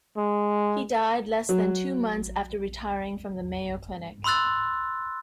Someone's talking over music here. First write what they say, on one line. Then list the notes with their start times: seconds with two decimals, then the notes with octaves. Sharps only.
He died less than two months after retiring from the Mayo Clinic.
0.17 G#3
1.49 F#3
4.24 B5 C6 E6 F#6 A6